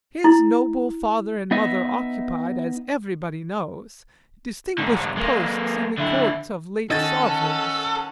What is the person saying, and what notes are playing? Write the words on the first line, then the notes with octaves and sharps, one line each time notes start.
His noble father and mother occupied, as everybody knows, distinguished posts in the Courts of late Sovereigns.
E4
B3 D#4 D#5 E5
G#2 D3
G#3 A#3
D3 E4
D#3 C#4 A4 D#5 F#5 G#6 A6